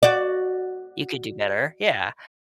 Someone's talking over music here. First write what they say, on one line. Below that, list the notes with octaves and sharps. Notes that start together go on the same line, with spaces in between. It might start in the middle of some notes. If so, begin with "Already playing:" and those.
"You could do better." Yeah.
F#4 D5